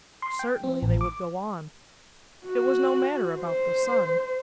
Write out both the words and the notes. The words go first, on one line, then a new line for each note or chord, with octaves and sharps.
Certainly they would go on. It was no matter about the sun.
C6
G5
C4
A1
D6
F#4
C5